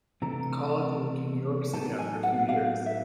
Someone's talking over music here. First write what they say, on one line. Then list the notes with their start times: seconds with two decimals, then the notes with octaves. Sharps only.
The college moved to New York City after a few years.
0.22 C3 E3 A3 D4 A#5
1.73 A2 F#3 B3 D#4 A5
1.98 G#5
2.23 F#5
2.49 F5
2.86 E5